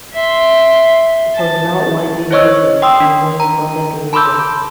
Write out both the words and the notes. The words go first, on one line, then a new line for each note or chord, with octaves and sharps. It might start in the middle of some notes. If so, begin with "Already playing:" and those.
It was not widely noticed and went under the radar.
E5 C6
A5
E4 C5 C#5 D#5 C#6 E6
G5 C6 D#6 E6
D4
A#5
A5 B5 C6 D6 E6 G6